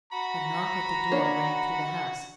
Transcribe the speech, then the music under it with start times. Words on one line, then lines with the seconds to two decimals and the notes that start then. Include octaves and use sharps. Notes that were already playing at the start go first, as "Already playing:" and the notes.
A knock at the door rang through the house.
0.12 F#4 F#5 A#5 B5
1.12 A#3 D4 C#5